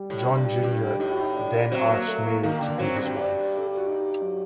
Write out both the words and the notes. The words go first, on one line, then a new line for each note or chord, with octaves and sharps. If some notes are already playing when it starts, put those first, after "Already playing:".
John Junior then asks Mary to be his wife.
Already playing: G3
A2
G2
G2
A2 D#4
F#4
D#4
D4
D4
F#3 C4
A#3
A3
A#3
D#3 A#3
D3
F#3 C4
G2
C4
D4
A4
G4
F#4
D#4
F#3